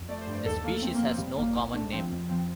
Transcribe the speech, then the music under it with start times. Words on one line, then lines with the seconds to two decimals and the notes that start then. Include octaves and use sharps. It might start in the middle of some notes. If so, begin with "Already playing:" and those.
The species has no common name.
Already playing: F2
0.08 A3 D5
0.21 C5
0.27 G2
0.33 D5
0.45 D#2 A4
0.64 A3 A#3
0.82 F2 C4
0.94 A#3
1.01 F2
1.06 C4
1.18 G3 C4
1.37 G1 A#3
1.55 C2 C4
1.74 A3 D4
1.92 F3 C4
2.10 F2
2.29 F3 C4